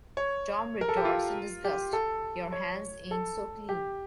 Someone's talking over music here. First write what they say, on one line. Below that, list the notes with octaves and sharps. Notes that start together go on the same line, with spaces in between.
Tom retorts in disgust: Your hands ain't so clean.
C#5
A#4
A4
G4
F4
G4
A4
C#5
A4
G4